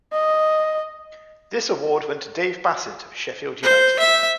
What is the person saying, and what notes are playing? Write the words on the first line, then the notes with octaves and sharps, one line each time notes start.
This award went to Dave Bassett of Sheffield United.
D#5
C5
E5